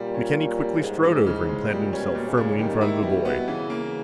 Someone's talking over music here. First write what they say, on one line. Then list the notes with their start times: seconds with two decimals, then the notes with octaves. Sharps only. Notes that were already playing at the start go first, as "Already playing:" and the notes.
McKenny quickly strode over and planted himself firmly in front of the boy.
Already playing: A#2 G3
0.15 C#4
0.38 G3
0.59 G3
0.82 G#2 G#3
1.04 E3
1.26 C#3
1.49 G#3
1.70 A#2 G3
1.93 C#4
2.00 B2
2.15 A#2
2.29 C#3
2.37 A#2
2.59 D#3 G3
2.81 E4
3.03 B2 G3
3.25 B3
3.48 C#3 E3
3.70 A#3